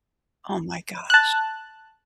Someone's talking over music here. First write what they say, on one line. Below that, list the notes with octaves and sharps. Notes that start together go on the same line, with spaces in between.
Oh my gosh.
A5 F#6